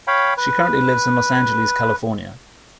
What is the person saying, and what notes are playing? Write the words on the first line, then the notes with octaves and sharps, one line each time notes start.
She currently lives in Los Angeles, California.
C#5 F5 G5 B5
B4